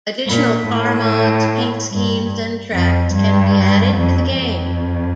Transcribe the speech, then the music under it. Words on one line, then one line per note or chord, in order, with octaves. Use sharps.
Additional car mods, paint schemes and tracks can be added to the game.
A#2
A2
G2
F2
G2
F2
F2